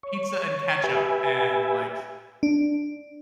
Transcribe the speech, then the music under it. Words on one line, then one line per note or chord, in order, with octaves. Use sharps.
pizza and ketchup and, like
C#5
G4 B4 E5 G#5
D4